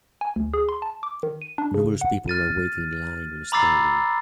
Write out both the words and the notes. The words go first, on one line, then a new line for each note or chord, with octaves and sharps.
Numerous people are waiting in line on a stairway.
G#5
D2
G#4
C6
A5
D6
D#3
D#7
D4
C#3
F#5
F6 A6 D#7
A#5 B5 D6 E6 A6 C7